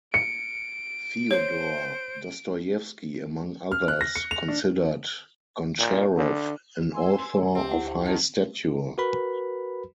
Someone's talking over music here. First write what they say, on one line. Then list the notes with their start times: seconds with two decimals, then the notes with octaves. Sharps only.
Fyodor Dostoyevsky, among others, considered Goncharov an author of high stature.
0.14 C#7 D7
1.31 C5 C#5
3.72 F6
3.88 F#6
4.01 A#6
4.15 C#7
4.31 F7
4.48 D4
5.79 A#2
6.17 D3
6.92 G#5 C6 E6
7.36 C#5
7.55 D2 C4 G4
7.71 E4 F#5
8.06 D#3 A5
8.98 F#4 A#4 B4 B5